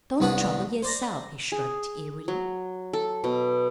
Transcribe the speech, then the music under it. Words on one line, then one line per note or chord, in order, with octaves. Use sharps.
"Don't trouble yerself," he shrugged airily.
C2 G2 B3 D4 B5
C5 D5 A#5
G#4
F#3
A4
B2